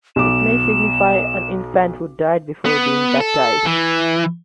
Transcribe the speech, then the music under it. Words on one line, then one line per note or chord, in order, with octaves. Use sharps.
It may signify an infant who died before being baptized.
B1 D6 E7
B3
A4
E3